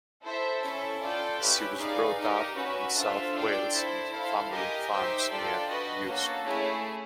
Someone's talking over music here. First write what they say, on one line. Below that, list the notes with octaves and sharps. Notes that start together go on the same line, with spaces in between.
She was brought up in South Wales and her family farms near Usk.
E4 A4 C5 E5
C#4 E4 A4
F4 A4 D5 G5
C#4 E4 G4 B4
D#4 G#4 B4 D5 F5
D#4 G4 A#4
C#4 F#4 B4 E5
D4 F4 A4 C5 E5
D4 F4 A4 D5 G5
E4 A4 C5
E4 A4 C5 F5
G4 A#4 D#5 G#5
D#4 G4 C5 E5 G5
D4 F4 A4 D5 G5
F#4 B4 D#5
A#3 C#4 F#4 A4
A3 C#4 E4 G#4 C#5